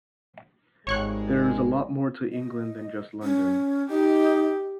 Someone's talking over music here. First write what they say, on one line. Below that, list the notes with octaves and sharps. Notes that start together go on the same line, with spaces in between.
There is a lot more to England than just London.
G#1 D#3 G3 G#3 C#5 C#6 F#6
D#5
C#4
D#4 G4